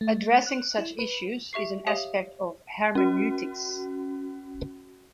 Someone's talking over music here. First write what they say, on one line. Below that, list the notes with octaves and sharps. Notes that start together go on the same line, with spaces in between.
Addressing such issues is an aspect of hermeneutics.
A3
F#6
E4
B4
G4 E5 C#6 C7
G4 C#5 E5 F5 D#6
C#4 F#4